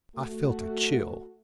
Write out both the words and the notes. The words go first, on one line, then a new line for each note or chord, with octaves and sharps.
I felt a chill.
A3 F#4